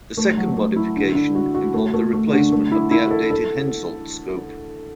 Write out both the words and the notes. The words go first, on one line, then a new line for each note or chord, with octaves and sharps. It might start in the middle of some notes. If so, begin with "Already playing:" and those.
The second modification involved the replacement of the outdated Hensoldt scope.
A3
F#3
A3
E4
D3
D3
F#4
F#4
A3
A3
A3
D3
A3
E4
E4
A4
A4